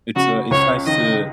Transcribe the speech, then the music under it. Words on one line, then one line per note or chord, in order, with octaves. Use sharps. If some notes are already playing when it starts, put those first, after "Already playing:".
It's, uh, it's nice to
C#3 F#4
C#2 C#5
D#3 D#5